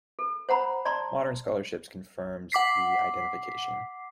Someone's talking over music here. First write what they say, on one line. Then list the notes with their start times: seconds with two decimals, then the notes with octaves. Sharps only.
Modern scholarship confirms the identification.
0.19 A4
0.49 C5 F#5 A#5 B5
0.85 D5 A5 A#5 C6
2.52 F#5 D6 B6 C7